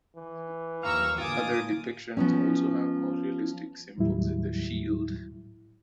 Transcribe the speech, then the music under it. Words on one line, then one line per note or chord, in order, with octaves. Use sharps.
Other depictions also have more realistic symbols in the shield.
E3
D#2 F3 F5 A#5 C#6 E6
A2 D3 A#3 F4 G#5 D6 D#6
F3 B3 C#4
D#2 A2 F#3 G3 E4